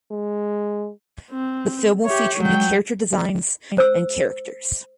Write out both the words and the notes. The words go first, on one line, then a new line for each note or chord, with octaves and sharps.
The film will feature new character designs and characters.
G#3
C4
G4 C#5 E5
F#3 G#3 G5
C5 E6